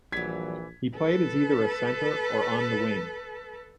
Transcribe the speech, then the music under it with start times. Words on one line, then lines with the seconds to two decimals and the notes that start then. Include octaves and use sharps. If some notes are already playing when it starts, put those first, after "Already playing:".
He played as either a centre or on the wing.
0.12 A#1 E3 F#3 G3 G#6 B6
0.96 A4 B4